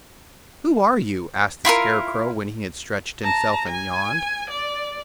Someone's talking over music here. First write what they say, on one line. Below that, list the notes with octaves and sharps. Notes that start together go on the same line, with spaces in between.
"Who are you?" asked the Scarecrow when he had stretched himself and yawned.
E4 F4 G#4 A#4
A5 A#5
G#5
D5